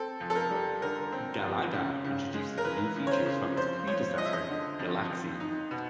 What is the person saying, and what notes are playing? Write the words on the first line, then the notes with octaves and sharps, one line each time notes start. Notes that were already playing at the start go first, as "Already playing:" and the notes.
"Galaga" introduces new features from its predecessor, "Galaxian".
Already playing: C4 A4
F2
A4
A#4
G3
D3 A#4
C4
F2
C#3
C#3
G#3
A#4
E3 B4
C#3
C#5
C5
C#3
F2 C5
F2 C#5
F3 D#5
E5
D#5
D3
F2
F2
D#4
B2